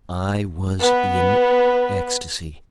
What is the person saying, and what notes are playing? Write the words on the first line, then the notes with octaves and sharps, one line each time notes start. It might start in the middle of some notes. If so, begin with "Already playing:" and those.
I was in ecstacy.
B3 B4